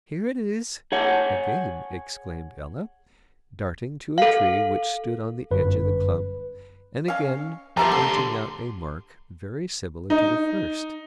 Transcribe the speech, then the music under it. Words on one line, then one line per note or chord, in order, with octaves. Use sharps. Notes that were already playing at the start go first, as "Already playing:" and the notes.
"Here it is," again exclaimed Ella, darting to a tree which stood on the edge of the clump, and again pointing out a mark very similar to the first.
G#4 C#5 F#5
A4 F5
G1 F#2 B4
C#4 F5
F3 B3 G4 E5 A5 A#5 C6
D2 A4 C6
D#4